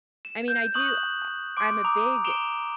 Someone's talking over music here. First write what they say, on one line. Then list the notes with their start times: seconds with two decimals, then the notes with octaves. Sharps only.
I mean, I do I I'm a big,
0.25 E7
0.48 G6
0.74 C#6 D#6 F#6 G6 F#7
1.57 C6 D6 D7
1.84 A#5 D6 D#6 F7
2.24 D7 E7 F7 G7